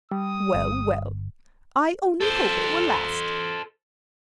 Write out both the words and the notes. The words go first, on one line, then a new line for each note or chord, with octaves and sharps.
Well, well, I only hope it will last.
G3 D#6
G1
A4 C5